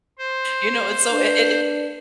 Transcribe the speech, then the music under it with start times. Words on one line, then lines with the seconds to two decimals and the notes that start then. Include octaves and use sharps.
You know, it's so it it
0.18 C5
1.11 D4 B4